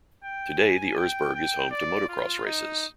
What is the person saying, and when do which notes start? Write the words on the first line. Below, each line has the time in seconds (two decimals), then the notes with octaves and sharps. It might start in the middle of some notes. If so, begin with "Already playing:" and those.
Today the Erzberg is home to motocross races.
0.23 G5
0.59 G#5
0.97 G5
1.34 G5
1.71 D5
2.09 F4
2.46 D#4